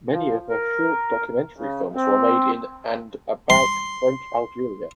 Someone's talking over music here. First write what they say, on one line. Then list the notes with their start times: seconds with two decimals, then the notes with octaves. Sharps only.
Many of her short documentary films were made in and about French Algeria.
0.12 F3
0.50 A#4
1.57 C#3
1.95 C4
3.50 C6